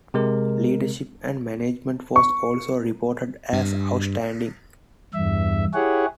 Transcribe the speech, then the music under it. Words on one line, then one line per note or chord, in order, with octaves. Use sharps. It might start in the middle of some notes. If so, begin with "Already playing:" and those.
Leadership and management was also reported as 'Outstanding'.
C3 G#3 A#4
C#6
G2
E2 G2 E5
E4 G4 G#4 C#5 F#5